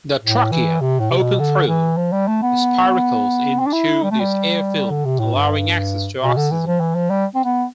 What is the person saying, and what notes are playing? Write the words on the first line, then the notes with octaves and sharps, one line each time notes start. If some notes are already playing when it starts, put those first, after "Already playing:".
The trachea open through spiracles into this air film, allowing access to oxygen.
A2
E3
C3
A2
C3
B2
D3
E3
F3
G3
A3
B3
C4
D4
E4
G3
A3
G3
D3
C3
A2
G2
B2
D3
E3
F3
E3
F3
G3
C4
B3